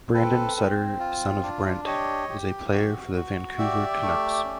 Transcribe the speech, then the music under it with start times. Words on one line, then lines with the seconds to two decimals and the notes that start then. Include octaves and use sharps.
Brandon Sutter, son of Brent, is a player for the Vancouver Canucks.
0.14 C4 A4 B4
0.57 C4
1.00 F4
1.43 D4
1.86 G4 C#5 D#5
2.29 G4
2.73 F#4
3.16 F#4
3.58 G4 D5 E5
4.02 A3
4.44 C#4